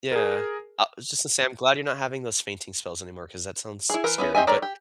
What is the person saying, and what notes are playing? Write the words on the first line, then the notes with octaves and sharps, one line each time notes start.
Yeah. I just to say, I'm glad you're not having those fainting spells anymore 'cause that sounds scary, but
G#4 A#4
E4 G#4
E3 A#4
B3 C#4 E4
C4 G4 D#5 E5 G#5
D#3 A3 C#5 D5 A#5
G4